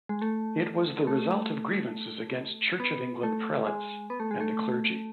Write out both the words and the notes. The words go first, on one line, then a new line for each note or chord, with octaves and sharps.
It was the result of grievances against Church of England prelates and the clergy.
G#3
A3
A3
B3
A3
G#3
B3
A3
G#3
A3